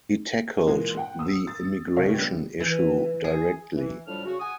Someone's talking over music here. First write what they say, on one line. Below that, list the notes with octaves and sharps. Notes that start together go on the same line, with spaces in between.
He tackled the immigration issue directly.
A#2 E3 G#3
F#5 G5
D#6 E6
A6
C#2 A#3 C#5 F5
D3 G3 B3 G4
E3
G#4
E3
D2 A2 F3 G3 D4 F6
C#3 F#4
F#5 G#5 D#6